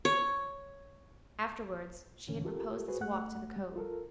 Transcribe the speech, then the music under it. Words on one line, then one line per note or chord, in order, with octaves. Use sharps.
Afterwards she had proposed this walk to the Cove.
C#5
E2 A#2 D3 E3 C#4
F4 G4 A4 A#4
F#4 G#4 B4 C5
G2 A3 F#5 F#6
G3
F4 A4 A#4